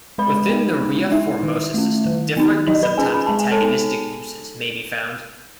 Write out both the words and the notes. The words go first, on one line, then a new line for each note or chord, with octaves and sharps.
Within the Ria Formosa system, different and sometimes antagonistic uses may be found.
G#3 B4 B5
B3 D#4
G#3
D#4 E4 E5
D#3
A3 C#4
D#3
F#3 B3 D#4
F#3 D#4 D#5
B4 B5
C#4 G#4 G#5
B5
G#3 A5
G#5
A4 A5
B3 D#4